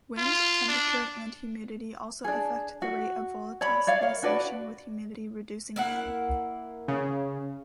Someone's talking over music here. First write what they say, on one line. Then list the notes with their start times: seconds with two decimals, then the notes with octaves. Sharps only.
Wind, temperature, and humidity also affect the rate of volatilisation with humidity reducing in.
0.17 F4
0.68 D4
2.24 D4 G#4
2.82 F#4
3.61 C#5 D5 B5
3.87 C#5 D5 F5
4.01 A#4 C#5 F5
4.23 D4 F#4 B4 D5
5.76 A#3 E4 F#5
6.88 C#3